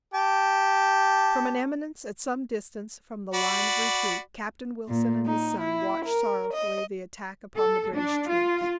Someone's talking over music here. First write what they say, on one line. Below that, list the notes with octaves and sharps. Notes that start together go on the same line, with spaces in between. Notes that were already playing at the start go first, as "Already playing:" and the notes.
From an eminence at some distance from the line of retreat Captain Wilson and his son watched sorrowfully the attack upon the British troops.
G4 A5
F#4 D5 B5
A#2
D#4
E4
A#4
D#5
A4
D4
F4